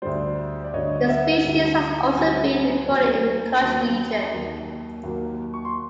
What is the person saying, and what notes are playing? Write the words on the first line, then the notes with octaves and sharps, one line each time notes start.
The species has also been recorded in the Kutch region.
D2 D3 G3 C5 D5
D5
D2 D3 G3 C#5 D#5
E5 F#5
D2 D3 G3
D2 D3 G3 F#5 G#5
D#2 D#3 F#3 A#3
D#2 D#3 F#3 A#3 G5 A5
D#2 D#3 F#3 A#3
D#2 D#3 F#3 A#3
C#6
C6